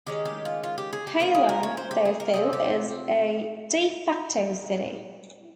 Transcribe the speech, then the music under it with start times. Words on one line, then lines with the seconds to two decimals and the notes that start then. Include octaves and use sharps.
Hailar, therefore, is a "de facto" city.
0.07 D#3 G#3 C#4 G4
0.25 G4
0.45 F4
0.63 F4
0.78 G4
0.93 G#4
1.07 G4
1.20 F3 A#3 C#4 F4
1.34 G#4
1.49 A#4
1.63 C#5
1.77 C5
1.91 G4
2.05 G#4
2.20 A#4
2.33 C3 F3 C4 G#4
2.53 G4